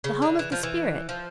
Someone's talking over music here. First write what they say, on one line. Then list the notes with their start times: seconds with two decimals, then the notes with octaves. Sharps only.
The Home of the Spirit!
0.04 C#3
0.22 D3
0.39 E3
0.52 F3
0.63 E3
1.09 F3